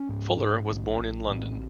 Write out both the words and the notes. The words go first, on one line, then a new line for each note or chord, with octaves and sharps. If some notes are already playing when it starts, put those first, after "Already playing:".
Fuller was born in London.
Already playing: C#4
G#2
G#2
A#1
A#1
A2 C4